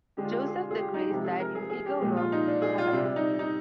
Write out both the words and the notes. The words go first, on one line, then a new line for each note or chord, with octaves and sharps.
Joseph De Grasse died in Eagle Rock, California.
D3 G#3 G4
F4
G4
G#4
F4
G#4
G4
D#4
C3 F3 G#3 G4
G#4
A#4
G#4
G#4
G4
A#2 F3 G#3 G4
F4
D#4
D4
G#4
F4
C3 G3 D4
D#4
D#4